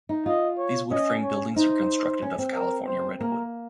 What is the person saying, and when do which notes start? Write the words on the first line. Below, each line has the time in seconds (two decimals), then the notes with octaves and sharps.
These wood frame buildings are constructed of California redwood.
0.09 D#4
0.26 F4 D#5
0.58 C#5
0.91 C#4 D#5
1.24 C#5
1.56 D#4 C5
2.22 C#4
2.38 C4
2.55 A#4
2.87 C5
3.20 A#3 A#4